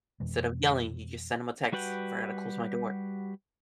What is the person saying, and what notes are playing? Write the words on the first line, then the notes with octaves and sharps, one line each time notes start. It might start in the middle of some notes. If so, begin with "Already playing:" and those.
instead of yelling, you just send 'em a text, "Forgot to close my door."
F2 B2 E3 G#3
G3 F#4 B4 F#5 G5